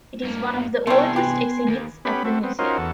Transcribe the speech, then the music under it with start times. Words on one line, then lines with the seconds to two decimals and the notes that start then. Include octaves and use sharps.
It is one of the oldest exhibits at the museum.
0.24 G2 A#3
0.87 C3 E3 G3 A3 B3 G#5 C6
1.16 G4 B4
1.68 D#2
2.05 B3 C#4 G4 B5
2.25 C4 F#4 A4
2.43 B3 C4
2.59 C#4 D#4 F4 F#4 A#4 C5
2.78 E2 F#4 A4